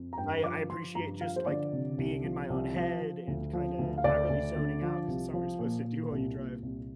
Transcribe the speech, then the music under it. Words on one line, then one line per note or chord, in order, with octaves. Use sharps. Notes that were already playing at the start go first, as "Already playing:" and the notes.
I I appreciate just, like, being in my own head and kinda not really zoning out, 'cause it's not what you're supposed to do while you drive.
Already playing: F2
A#5
G2 G5
F3 D6
F3 C6
G2 A#5
F3 F5
C5
D3 D5
C3
C2
F3
C2
F3
F3
D2
F3
D2
F5
D2 D5
D2
D3
F3
C2
F3
A#2
A#2
C2
A#2
C2